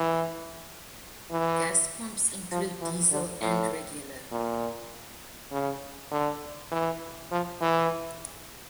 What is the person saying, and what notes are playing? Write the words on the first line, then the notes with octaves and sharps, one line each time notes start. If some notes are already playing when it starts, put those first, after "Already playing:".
Gas pumps include diesel and regular.
Already playing: E3
E3
F3
E3
D3
A2
A#2
C#3
D3
E3
F3
E3